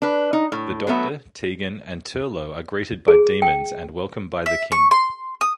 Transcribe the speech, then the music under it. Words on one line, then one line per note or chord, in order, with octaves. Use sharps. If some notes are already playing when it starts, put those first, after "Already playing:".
The Doctor, Tegan, and Turlough are greeted as demons and welcomed by the King.
D4 B4
D#4
A2
F#3 A3 B3 E5
G#4
G5
E5
C#6
C6
D#6